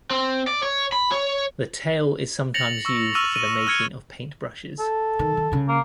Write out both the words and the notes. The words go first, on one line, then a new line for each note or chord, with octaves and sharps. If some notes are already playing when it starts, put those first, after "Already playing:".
The tail is sometimes used for the making of paintbrushes.
C4
D5
C#5
B5
C#5
A6 A#6 C#7 F7 F#7
C#6 E6
C#6 E6 F6 D#7 F7
D#7
E6 F6 G#6 C#7 G7
A4
D#3
D#3
C#3 G#3
A#3